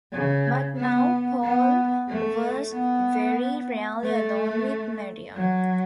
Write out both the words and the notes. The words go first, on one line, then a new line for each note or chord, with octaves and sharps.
But now Paul was very rarely alone with Miriam.
C#3
B3
B3
A3
B3
A3
F#3